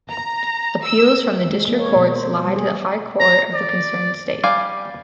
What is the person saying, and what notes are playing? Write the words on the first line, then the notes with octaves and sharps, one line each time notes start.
Appeals from the district courts lie to the High Court of the concerned state.
A#5
E6
G#3
A#3
C#5
B2
C5
G3
G#4
A#5
D5
G3 D5 F5 G#5